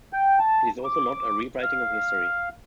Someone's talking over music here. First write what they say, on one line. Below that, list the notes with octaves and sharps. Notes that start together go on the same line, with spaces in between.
It is also not a rewriting of history.
G5
A5
D6
F5